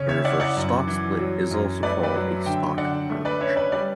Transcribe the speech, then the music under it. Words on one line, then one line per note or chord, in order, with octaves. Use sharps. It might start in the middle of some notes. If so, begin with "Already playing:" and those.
A reverse stock split is also called a stock merge.
Already playing: C#3 C#4
C#5 E5
E4 D5 F#5
D5 F#5
F#2
E3
F#3
F#2
A3 B4 D5
B4 D5
F#3
D3 E5 G5
D3 D5 F#5
A3
B4 D5
C#4 C#5 E5
B4 D5
G3 B4 D5